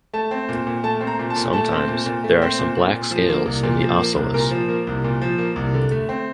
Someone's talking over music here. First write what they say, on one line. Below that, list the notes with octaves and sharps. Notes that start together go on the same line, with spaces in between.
Sometimes there are some black scales in the ocellus.
A3 A5
C4
A#2
A#2
A3 A5
C4
A#5
A#2
A5
A#2
A3 A5
C4
A#2
A#2
A3
C4
A#2
A#2
A#2
F3
A#3
C2
A#2
F3
A#3
C2
A#2 A#4
F3
A#3
C2
A#2
F3
A#3
C2
D3
A3
C4